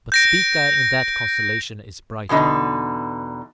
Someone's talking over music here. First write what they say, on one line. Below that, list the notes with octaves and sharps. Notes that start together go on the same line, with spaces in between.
But Spica in that constellation is brighter.
G6 A#6 D7
E2 B2 D3 D#4